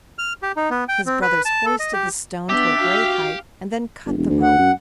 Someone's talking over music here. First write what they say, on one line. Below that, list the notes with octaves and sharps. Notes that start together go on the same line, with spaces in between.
His brothers hoisted the stone to a great height, and then cut the rope.
F6
G4
D#4
B3
G5
C4
B4
A5
A4
D#5
G4
B3 D4 G4 D5 E5
F#4 F5
G1
E1
D2
F#5
F#2